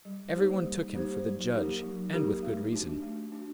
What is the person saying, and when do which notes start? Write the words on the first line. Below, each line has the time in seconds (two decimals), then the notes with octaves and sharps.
Every one took him for the judge, and with good reason.
0.05 G3
0.35 A#3 D#4 G4 C5
0.64 G3
0.94 A#3 D#4 G4 C5
1.24 F#3
1.54 A#3 D#4 G4 A#4
1.83 F#3
2.13 A#3 D#4 G4 A#4
2.43 A3
2.73 D4 F#4
3.02 A3
3.32 D4 F#4